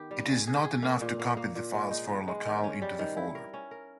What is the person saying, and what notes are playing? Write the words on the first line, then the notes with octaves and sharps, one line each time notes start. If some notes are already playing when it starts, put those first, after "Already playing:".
It is not enough to copy the files for a locale into the folder.
Already playing: D#3 B3 G4
G3
G#4
G#4
G#4
A#3
A#2
A#3
A#3
A#2
G#3
D#4
B3
G#3
D#3
C#4
G3
D#3
E4
A#4
C#4
A#4